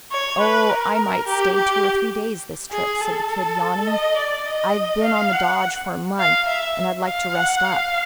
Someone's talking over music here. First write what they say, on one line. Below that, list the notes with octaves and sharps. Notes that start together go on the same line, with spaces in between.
"Oh, I might stay two or three days this trip," said the Kid, yawning. "I've been on the dodge for a month, and I'd like to rest up."
C#5
B4
A#4
G4
G4
G#4
A4
D#5
D5
D#5
F5
F#5
F5
E5
F5
F#5
F5